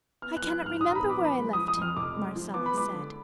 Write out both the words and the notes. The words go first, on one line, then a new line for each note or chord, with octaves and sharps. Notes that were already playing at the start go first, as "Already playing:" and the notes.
"I cannot remember where I left him!" Marcella said.
B3 F6
F#6
F3
F#6
G#2
F6
A#1 D#6
A#5
B3 B5
D6
F3
B5
G#3
F3 D#6
D#6
F2 F6
F1 D6
G#3
F3
B3 D6
B5
G#3 D6
D3